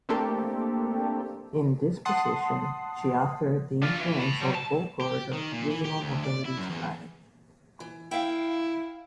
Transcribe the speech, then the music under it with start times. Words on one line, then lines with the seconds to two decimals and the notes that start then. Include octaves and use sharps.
In this position, she authored the influential "Bow Corridor Regional Mobility Strategy".
0.09 A3 A#3 C4 D4 G4 A4
2.05 F#5 A5 C6 D#6 C7
3.82 D4 F4
4.01 E3
4.20 A5 B5
4.41 F#3 G3
4.55 A5
5.01 G4
5.33 D#3
5.52 A#2
5.70 E3
5.85 G4
6.01 D2
6.24 D5
6.46 E4
6.58 F#2
6.70 E2
7.80 E3
8.11 E4 F5 G5